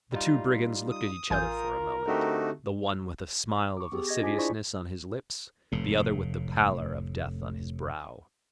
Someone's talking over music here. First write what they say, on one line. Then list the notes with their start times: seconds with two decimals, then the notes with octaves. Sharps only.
The two brigands looked at each other for a moment--the one with a smile of lasciviousness on his lips, the other with the pallor of death on his brow.
0.12 G3 D#4 F4
0.91 D#6
1.30 A1 F4 A#4 G#5 G6
2.07 D3 A3 C4 D#4 F#4 G4
3.77 C#6 D6
3.92 B3 G4 G#4
4.07 D#5 G#6 A#6
4.21 D4 F4 C5 G#5 D6 B6
4.38 E4 G#4 C5 D5 C#6
5.72 F1 A2